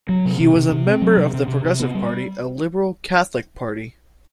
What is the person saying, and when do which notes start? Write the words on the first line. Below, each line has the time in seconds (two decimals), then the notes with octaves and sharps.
He was a member of the Progressive Party, a Liberal Catholic party.
0.09 F#3
0.25 C3
0.40 C3
0.56 C3
0.72 C3
0.86 C4
1.02 F#3
1.17 C3
1.33 C3
1.48 C3
1.64 C3
1.80 B3
1.95 G3